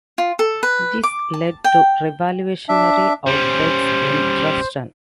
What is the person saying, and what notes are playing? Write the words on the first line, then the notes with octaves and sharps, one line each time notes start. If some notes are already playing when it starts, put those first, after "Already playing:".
This led to revolutionary outbreaks in Dresden.
F4
A4
B4
D6
A5
G5
D4 E5
G3 C#4 C5